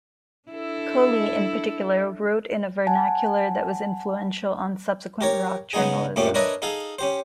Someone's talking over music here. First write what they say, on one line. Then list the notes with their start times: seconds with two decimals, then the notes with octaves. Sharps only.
Coley in particular wrote in a vernacular that was influential on subsequent rock journalism.
0.49 D4 E4 A4
2.87 F#5 G#5 A5
5.21 G4 A#4 C#5
5.73 C#3 G#3 B3 D#4 G#4
6.16 F#2 A#2 A3 C#4 G4 D6
6.34 D4 A#4 B4 C#5 D#5 E5
6.62 D#4 G#4 A4 F5
6.99 C#4 G4 C5